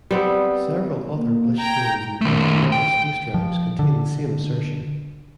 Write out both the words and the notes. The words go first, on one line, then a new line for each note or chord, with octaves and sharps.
Several other Blish stories involving novel space drives contain the same assertion.
G3 B3 C4
A#3
G5 A#5 G#6
D#3 A3
G5
F3
D3